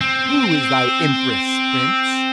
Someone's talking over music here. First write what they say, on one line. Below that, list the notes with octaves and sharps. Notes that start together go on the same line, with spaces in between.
Who is thy Empress, Prince?
C4